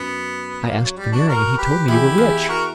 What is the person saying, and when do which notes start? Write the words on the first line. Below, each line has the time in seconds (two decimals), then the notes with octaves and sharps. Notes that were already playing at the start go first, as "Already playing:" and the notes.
'I asked Veneering, and he told me you were rich.'
Already playing: F#2 B3
0.66 A#3
0.82 F#3
0.97 G3
1.12 D4 F#4
1.27 F#4 A#4
1.57 G4 B4
1.88 E2 E4 G4
2.18 E2
2.49 F#4 A#4